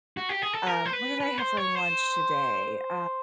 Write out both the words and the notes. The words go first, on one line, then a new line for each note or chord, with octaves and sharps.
um, what did I have for lunch today? Uh,
F#4
G4
G#4
A4
A#4
C5
B4
B4
C5
C#5
C5